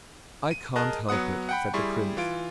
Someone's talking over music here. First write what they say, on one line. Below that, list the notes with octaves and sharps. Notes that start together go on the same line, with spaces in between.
"I can't help it," said the prince.
D#7
G#4 A#4 D#5 A5 F#6
F#3 B3 F#5 D#6
F#5 G5 B5
G3 E4 G#4 C6 C#6
E3 F4 D7